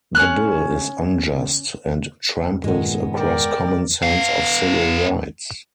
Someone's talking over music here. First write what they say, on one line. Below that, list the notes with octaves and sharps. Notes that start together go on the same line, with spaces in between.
The Bill is unjust and tramples across common sense and civil rights.
C#4 G#4 F6 F#6
G2 A#2 D#3 G#3 B3
A#4 D5 G5
B3 F5